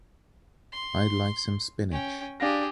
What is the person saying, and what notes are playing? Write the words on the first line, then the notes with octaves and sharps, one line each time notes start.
I’d like some spinach.
C6
C#4 G5
D4 G4 G#4 F5 A#6